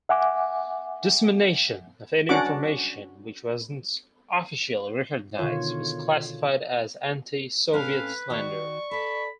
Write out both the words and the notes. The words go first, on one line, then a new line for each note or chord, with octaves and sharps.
Dissemination of any information which was not officially recognized was classified as "Anti-Soviet slander".
E5 F#5 G#5 D6
C#4 D4 F#4 F#5 D6
B2 D3 D#3 F4 C#5
A2 C4 C#4 B4 F5
D#3 F#4 D5 C#6
A4 B4 B5